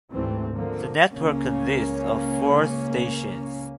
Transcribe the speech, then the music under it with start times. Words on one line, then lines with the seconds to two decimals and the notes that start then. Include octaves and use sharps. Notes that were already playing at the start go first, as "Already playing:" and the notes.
The network consists of four stations.
0.12 D2 G#2 E3 G3 A3 C4
0.53 D3 F3 A#3
1.12 C#2 C#3 A#3 C#4